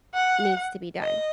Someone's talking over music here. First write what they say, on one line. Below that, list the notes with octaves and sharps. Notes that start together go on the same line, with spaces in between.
needs to be done.
F#5
D#5